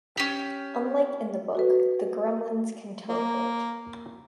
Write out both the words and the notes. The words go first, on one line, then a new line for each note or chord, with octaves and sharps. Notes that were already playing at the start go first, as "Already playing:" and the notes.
Unlike in the book, the Gremlins can teleport.
C#4 G4
F#4 A4 B4
A#3